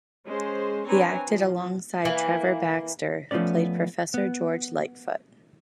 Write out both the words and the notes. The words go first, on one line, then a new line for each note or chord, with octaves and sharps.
He acted alongside Trevor Baxter who played Professor George Litefoot.
G#3 C#4 G#4 C5
C4 D4 B4 C#5 G#5 A#5
F3
E3 A#3
F3 A3 B3 C#4 D5
B3